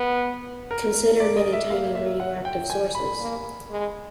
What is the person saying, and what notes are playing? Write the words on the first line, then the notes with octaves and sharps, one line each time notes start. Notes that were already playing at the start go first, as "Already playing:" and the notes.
Consider many tiny radioactive sources.
Already playing: B3
A#4
D5
D#5
E5
A#3 F5
E5
F#5
G5
G#5
B5
A#3
G#3